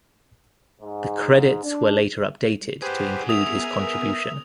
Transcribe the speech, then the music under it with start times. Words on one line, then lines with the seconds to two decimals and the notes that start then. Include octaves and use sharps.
The credits were later updated to include his contribution.
0.81 G#2
1.62 D4
2.82 G4 G#4 B4 C5 F#5
3.29 B3 A#4 E5 G#5 D#6 F7